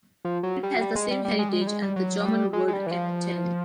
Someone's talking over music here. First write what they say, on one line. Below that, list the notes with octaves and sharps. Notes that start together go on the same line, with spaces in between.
It has the same heritage as the German word “Kapitell”.
F3
F#3
G3
F#3
G3
G#3
G3
G3
G#3
G3
G#3
G3
G#3
G3
F#3
F#3
G3
G#3
G#3
G3
E3
F3